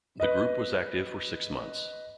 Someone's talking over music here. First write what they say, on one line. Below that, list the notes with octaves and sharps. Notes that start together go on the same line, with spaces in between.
The group was active for six months.
B4 D#5